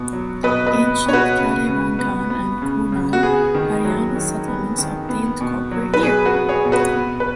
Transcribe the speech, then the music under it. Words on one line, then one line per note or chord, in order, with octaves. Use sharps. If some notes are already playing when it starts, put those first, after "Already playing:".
Ancient Kalibangan and Kunal, Haryana settlements obtained copper here.
Already playing: B2 B3
F#3
B2 B4 D#5
B4 D#5
B3
B2 C#5
F#4 B4
C#3
C#3
B3
B3
C#3
C#3
F#4
B3 G#4
D#3
F#3
D#3
B3
D#3
B3
B2
F#3
B4
B2 G#4
F#4 B4
B3
G#4 C#5
B2
F#4 B4
B3
B4